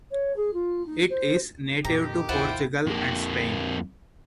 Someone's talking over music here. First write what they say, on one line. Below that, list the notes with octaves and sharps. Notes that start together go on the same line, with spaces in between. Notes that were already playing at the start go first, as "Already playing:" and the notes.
It is native to Portugal and Spain.
C#5
G#4
F4
D#4
C5
F2 A#2 D#3 G4 A#5
A1 D#2 E4 F4 C5 F#5 G5
F2 A#3